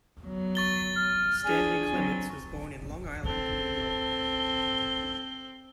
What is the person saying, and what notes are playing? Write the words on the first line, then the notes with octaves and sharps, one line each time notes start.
Stanley Clements was born in Long Island, New York.
F#3 B3
C#6 A6 G7
F6
D4 G#4 G#5
F#3 C4
C4 A4 G7